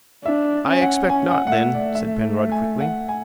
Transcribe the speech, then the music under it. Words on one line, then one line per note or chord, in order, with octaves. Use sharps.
"I expect not, then," said Penrod, quickly.
D4 E5
C#4
F#5
C#4 G#5
F#5
F#5
A3 E5
D5
E5
G#5
F#5
G#5